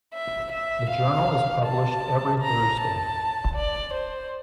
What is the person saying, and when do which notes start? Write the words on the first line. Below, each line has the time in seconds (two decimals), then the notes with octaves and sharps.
The journal is published every Thursday.
0.14 E5
0.52 E5
0.90 F5
1.65 A5
2.42 A#5
2.80 A5
3.56 D5
3.93 C5